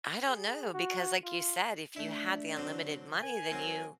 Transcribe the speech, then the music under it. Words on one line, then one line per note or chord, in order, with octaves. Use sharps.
I don't know because like you said, if you had the unlimited money, then you
G#4
F#4
F4
A3 D4 E4
D3 F#3 C4
A#4 G#5
F#3 A#3 C4